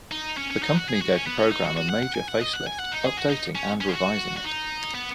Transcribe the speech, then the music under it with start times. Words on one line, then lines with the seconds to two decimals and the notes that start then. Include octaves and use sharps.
The company gave the program a major face-lift, updating and revising it.
0.11 D#4
0.37 C#4
0.51 C#4
0.63 D#4
0.75 F#4
0.89 G#4
1.01 F#4
1.14 C#4
1.26 B3
1.39 C#4
1.51 D#4
1.65 F#4
1.77 F#4
1.89 F#5
2.03 F#5
2.15 G#5
2.28 F#5
2.41 D#5
2.53 F#5
2.67 G#5
2.79 F#5
2.92 D#4
3.04 G#4
3.17 F#4
3.30 D#4
3.55 C#4
3.81 C#4
3.89 G#4
3.93 F#4
4.37 F#4
4.44 D#4
4.94 B3